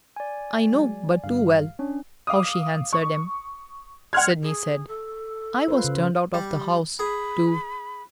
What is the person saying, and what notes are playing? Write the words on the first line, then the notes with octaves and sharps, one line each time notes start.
"I know but too well how she answered him," Sydney said; "I was turned out of the house, too."
D5 G#5
F#3 G#3
G2 D3 G3 F5
C#4 D4 C#5
F5 D6 D#6
C#6
F#5 C6 F6 G#6
G#4
A4
F4 B4 C5
C#3
G3
G#4 B5